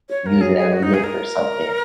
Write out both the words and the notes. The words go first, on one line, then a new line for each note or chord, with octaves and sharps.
use it as a nook or something.
C#5
A#4
F#3 G#4
G#4
F#4
D#4
G#4
A#4